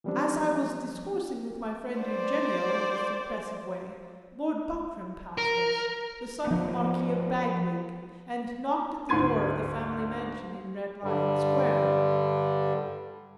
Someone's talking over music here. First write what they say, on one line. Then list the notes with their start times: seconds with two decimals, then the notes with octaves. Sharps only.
As I was discoursing with my friend Eugenio in this impressive way, Lord Buckram passed us, the son of the Marquis of Bagwig, and knocked at the door of the family mansion in Red Lion Square.
0.04 E3 F3 G3 B3 C4 D4
2.00 C5 D5
5.38 A#4
6.47 F3 B3
9.09 D2 G#2 C6 G#6 D#7
11.04 G2 D3 G3